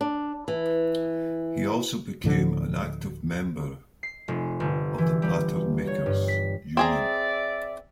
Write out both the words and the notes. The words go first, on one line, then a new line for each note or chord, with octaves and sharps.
He also became an active member of the Pattern Makers Union.
D4
E3
D2 A2 D3 F3
C7
F1
G1
E3
G3
C#5
G2
B6
C4 G#4 D5 E5 A#5